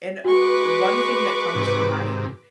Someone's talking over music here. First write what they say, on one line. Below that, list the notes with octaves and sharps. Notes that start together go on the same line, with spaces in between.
and one thing that comes to mind
G#3 F#4 B4 C#6 D6
G#2 C3